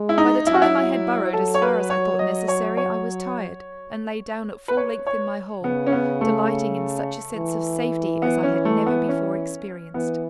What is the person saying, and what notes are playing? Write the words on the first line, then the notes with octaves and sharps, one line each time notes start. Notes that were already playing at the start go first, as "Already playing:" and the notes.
By the time I had burrowed as far as I thought necessary, I was tired, and lay down at full length in my hole, delighting in such a sense of safety as I had never before experienced.
Already playing: G#3
E4
D#4
F#3 E4
F#4
E4
A4
C#5
B4
C#5
D#5
C#5
C#5
B4
C#5
C#5
C#3 B3
C#4
B3
A3
E3
B3
C#4
A3
B3
C#4
E3 B3